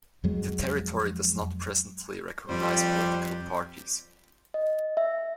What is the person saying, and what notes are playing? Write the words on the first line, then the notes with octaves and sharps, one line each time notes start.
The territory does not presently recognize political parties.
F2 F#3 G#3
F2 G3 G4 C5
D#5
E5